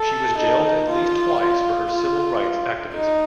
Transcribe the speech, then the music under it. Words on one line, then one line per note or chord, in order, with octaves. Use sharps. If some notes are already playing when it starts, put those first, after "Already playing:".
She was jailed at least twice for her civil rights activism.
Already playing: A4
D#4
F4
F4
F4
D#4